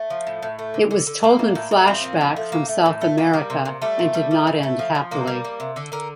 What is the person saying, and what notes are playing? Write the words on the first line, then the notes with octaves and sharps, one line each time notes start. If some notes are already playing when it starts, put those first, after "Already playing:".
It was told in flashback from South America and did not end happily.
Already playing: A3
F3
A2
A2
A3
D3
D3
D3
G3 A#3
A2
A2
A2
F3 C4
A#2
F3
A3
A2 A#3
A3
A2
A3
D#3 A#3
G3
C3
C3
G3 A3
A#2
G3
G3
A2
A3
F3
F3
C3 A#3
G3
G3
C3
D3 A4
D3 A#4